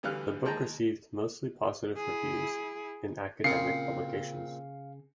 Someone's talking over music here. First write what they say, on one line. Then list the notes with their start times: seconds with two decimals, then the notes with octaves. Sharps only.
The book received mostly positive reviews in academic publications.
0.03 D2 D3 E3 G3 F5 F#6
0.45 D#2 G#3 G5 A5 A#5
1.97 E4 G#4
3.44 A#2 C#3 C4 F5 C7 C#7